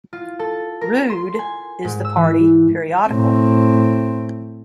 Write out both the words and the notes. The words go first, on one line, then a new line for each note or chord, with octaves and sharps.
"Rood" is the party periodical.
F4
A4
A#4
C6
G#5
G#2
E6
E3
A2 C4